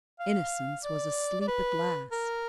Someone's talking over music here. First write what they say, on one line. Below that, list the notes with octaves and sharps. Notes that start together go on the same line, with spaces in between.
Innocence was asleep at last.
F5
D5
D5
B4
A#4